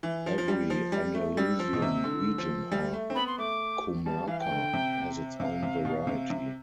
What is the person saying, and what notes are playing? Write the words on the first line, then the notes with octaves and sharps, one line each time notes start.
Every Andalusian region or comarca has its own variety.
E3
F3
F3
G3
F3
G3
A3
G3 E6
F3
B2
C3
D3
F3
G3
A3
C4
B3 B5
C6
A3 D6
G3 A5
E3 F5
G5
D3
C3
C3 F5
C3
B2
C3
C3